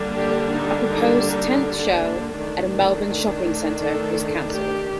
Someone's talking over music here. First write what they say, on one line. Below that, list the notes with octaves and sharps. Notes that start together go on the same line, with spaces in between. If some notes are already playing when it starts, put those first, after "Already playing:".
A proposed tenth show at a Melbourne shopping centre was cancelled.
Already playing: D3 G3 A#3 D4
G4
D#4
D#4
D#4
D#3 A3 D4
A4
G4